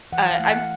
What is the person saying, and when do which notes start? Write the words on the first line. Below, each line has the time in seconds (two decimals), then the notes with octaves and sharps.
uh, I'm
0.12 E3 F#5
0.31 F5
0.39 A3
0.48 F#5